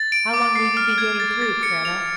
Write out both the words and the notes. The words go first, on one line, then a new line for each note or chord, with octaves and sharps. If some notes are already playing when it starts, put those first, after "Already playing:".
"How long will you be getting through, Kreta?"
Already playing: A6
D7
D6
C7
F6
G#6
A6
A6
C#7
F7